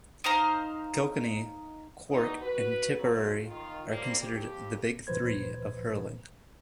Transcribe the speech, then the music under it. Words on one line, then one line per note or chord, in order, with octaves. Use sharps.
Kilkenny, Cork and Tipperary are considered "the big three" of hurling.
D#4 C5 F5 A#5
G2 E3 B3 D#4
F#4 B4
F3 F#3
D#3 F4
F3 G3 A#3 C4
F2 G4
D2 A#2 F3 B4 C5 G#6